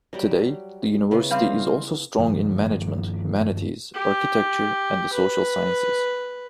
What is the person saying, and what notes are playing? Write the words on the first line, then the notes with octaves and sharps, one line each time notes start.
Today, the university is also strong in management, humanities, architecture and the social sciences.
F#3 G3 G4
C#3 E3 B3
G3 C4 F5
G2 D#3 F3
G4
B4